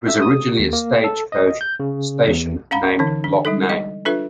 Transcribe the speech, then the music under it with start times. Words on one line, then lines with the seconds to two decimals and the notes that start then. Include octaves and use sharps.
It was originally a stagecoach station named Locknane.
0.08 E5
0.22 D#6
0.59 D#2
0.73 A#3
1.04 A4
1.32 D#5
1.61 G6
1.80 C#3
2.27 E2
2.71 C#4 F5 F#5 A#5 B5
2.99 D3 E3 D#4
3.24 D4
3.45 G3 G#3 D#4 A4
3.69 D#5
4.05 D4 F4 A4 B4 E5